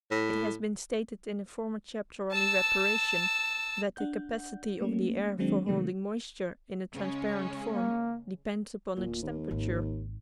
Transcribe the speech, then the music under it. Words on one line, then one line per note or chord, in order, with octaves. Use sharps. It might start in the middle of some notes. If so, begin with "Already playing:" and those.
It has been stated in a former chapter on evaporation that the capacity of the air for holding moisture in a transparent form depends upon its temperature.
A2
A5 E6
D4 F#5 G6
A3 A#3 C#4
D#3 F#3 G#3 C4 D4
C3 D#3 F#3 G#3 A3 B3
C#3 G#3 C#4
A#3
D1 A#2
D#2
G#1